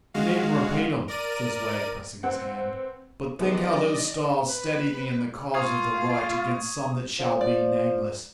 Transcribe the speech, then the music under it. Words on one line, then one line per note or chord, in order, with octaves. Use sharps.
You needn't repeat 'em,' says Wegg, pressing his hand. 'But think how those stars steady me in the cause of the right against some that shall be nameless.
G#3 F#4 F5
A#4 D5 D#7
C4 B4 F#5
D#3 F#3 G#3 B3 G4 B4 D5 D#5
B4
F4 F5 C#6 D#6 G#6
F3
D5